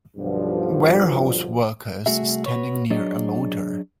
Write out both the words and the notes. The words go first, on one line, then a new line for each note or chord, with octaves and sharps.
Warehouse workers standing near a loader.
B1 G2 D3 F3
C2 A#2 A3 F#4 G#4 E5
F#4 B4 C#5
F#3 D4 G#4 C#5 D#5